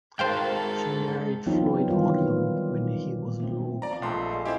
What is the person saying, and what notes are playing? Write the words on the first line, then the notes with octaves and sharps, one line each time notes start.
She married Floyd Odlum when he was a law clerk.
G#2 A4 A#4 C5 F5 G5 A5
E3 F#3 B3 C4 D#4 F4
D#3 E3 G3 F4
D5
A3 C4
F3 D5 A#5
A#1 A3 D#5 E5 C6
G#3 F5
C4 E4 G4